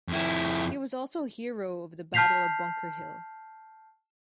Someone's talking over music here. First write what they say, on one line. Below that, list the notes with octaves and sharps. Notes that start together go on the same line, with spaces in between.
He was also a hero of the Battle of Bunker Hill.
F2 E4
A5 F6 G6 B6 C7 F7